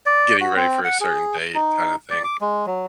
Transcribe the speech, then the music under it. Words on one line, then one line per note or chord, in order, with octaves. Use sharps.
getting ready for a certain date kinda thing.
D5
F#4
C4
F#5
G#4
D#4
D5
D6
G#3
F#3